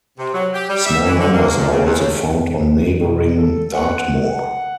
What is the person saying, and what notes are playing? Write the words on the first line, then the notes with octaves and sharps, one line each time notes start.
Small numbers are also found on neighbouring Dartmoor.
C3
F#3
G4
G3
E5
E3
D3
A#3
A#2
C#3
E2
C#3
B2
A4
F#5